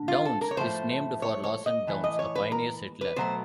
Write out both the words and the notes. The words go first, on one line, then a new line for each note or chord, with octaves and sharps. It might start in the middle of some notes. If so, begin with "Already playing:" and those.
Downs is named for Lawson Downs, a pioneer settler.
Already playing: D3
F4
A4
A#4
C#5
A2 F3 A3 C5
C#5
C#5
D#5
A2 E3
D#5
C#5
B4
A#4
B4
B2 F#3 A3 C5